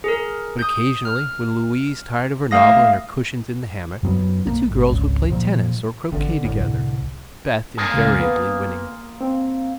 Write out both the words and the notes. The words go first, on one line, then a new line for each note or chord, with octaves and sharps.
But occasionally, when Louise tired of her novel and her cushions in the hammock, the two girls would play tennis or croquet together--Beth invariably winning.
G#4 A#4
D#6 G6
F6
A3 F5 D#6 A#6
F#2 F#3 B3
B1 A#3
G#1
G#1 C#2
A#2 F3
G#1 D3
G1 A2
C2
A#3 F4 G#4
C#2
B3
C4